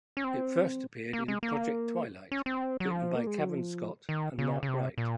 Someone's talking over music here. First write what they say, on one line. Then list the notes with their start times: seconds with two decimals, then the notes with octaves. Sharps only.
It first appeared in "Project: Twilight", written by Cavan Scott and Mark Wright.
0.17 C#4
0.24 C4
1.13 A#3
1.28 G#3
1.43 A#3
2.32 C#4
2.46 C4
2.80 F#3
2.91 F3
3.15 A#3
3.27 G#3
3.38 F#3
3.49 F3
4.09 D#3
4.38 C#3
4.63 C#3
4.68 C3
4.98 A#2